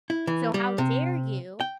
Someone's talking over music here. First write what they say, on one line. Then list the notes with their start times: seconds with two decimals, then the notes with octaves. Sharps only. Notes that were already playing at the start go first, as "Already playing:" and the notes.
So how dare you?"
0.10 E4
0.27 E3
0.54 G3
0.78 C3
1.61 G5